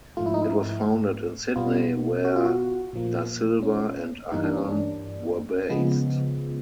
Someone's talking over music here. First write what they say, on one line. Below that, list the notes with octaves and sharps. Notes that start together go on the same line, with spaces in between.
It was founded in Sydney, where da Silva and Ahern were based.
G#2 F3 A3 F4
E4
D#4
E4
B2 G3 B3 F4
F#4
F4
F#4
A#2 F3 A#3
C#4
G2 E3 G3 A#3 D#4
D4
C#4
D4
C#3 F3 G#3 B3